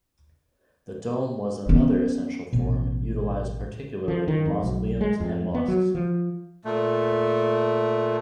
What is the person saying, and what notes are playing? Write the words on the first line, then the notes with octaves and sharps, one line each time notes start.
The dome was another essential form utilised particularly in mausoleums and mosques.
B3 C#4
A1 B2
F3
D#3
F2
B1
G#3
F2
B3
F#3
F3
A#2 A3